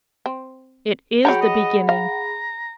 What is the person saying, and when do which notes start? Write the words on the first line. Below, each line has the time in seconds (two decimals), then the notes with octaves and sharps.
It is the beginning!
0.26 C4
1.25 F#3 G#4 C#5 F#5 G5 A#5 B5
1.41 D#5
1.89 F5 A#5